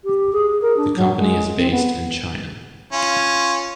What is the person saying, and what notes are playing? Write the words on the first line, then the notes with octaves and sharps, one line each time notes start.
The company is based in China.
G4
G#4
A#4
D4
F#3
G#3
C4
B3
C#4 F4